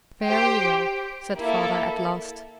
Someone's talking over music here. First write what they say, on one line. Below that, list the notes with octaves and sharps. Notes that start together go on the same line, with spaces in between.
"Very well," said Father, at last.
G4 C5 G5
A#3 E4 A4